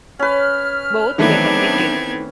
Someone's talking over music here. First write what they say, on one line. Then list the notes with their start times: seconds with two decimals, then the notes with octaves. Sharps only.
Both were convicted.
0.19 C#4 B4 F6
1.18 D#3 E3 F#3 A3 B3 C4 D4 G#6